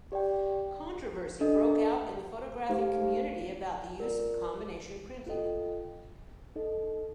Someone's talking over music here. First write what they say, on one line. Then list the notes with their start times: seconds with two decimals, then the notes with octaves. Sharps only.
Controversy broke out in the photographic community about the use of combination printing.
0.12 G4 D5 G5
1.40 D4 A4 D#5
2.69 A3 D#4 G4 C5 F5
3.98 F4 A#4 D5
5.27 F4 A4 D#5 G5
6.55 D#4 A4 D#5